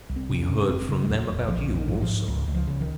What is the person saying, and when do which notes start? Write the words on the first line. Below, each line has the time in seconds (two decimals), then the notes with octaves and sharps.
We heard from them about you also.
0.09 C2
0.16 C4
0.29 C3 C4
0.42 C#4
0.49 C3
0.62 C#4
0.69 F1 C4
0.89 C#3
1.04 G#3
1.09 D#2 F#3
1.28 F1
1.48 A#1 F3
1.68 A#1
1.75 D#3
1.88 G#2 F#3
2.01 F3
2.08 G#2
2.28 C#2
2.48 C#2
2.55 F3
2.67 C#3
2.81 D#3